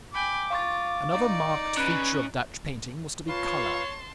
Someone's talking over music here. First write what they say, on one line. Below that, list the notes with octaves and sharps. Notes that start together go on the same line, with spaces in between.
Another marked feature of Dutch painting was to be color.
G5 G#5 B5 D6
F4 F5 C#6 A6
D#4 D5
C#3 B4 F#6
F4 B4 C#5 F5 A5 C6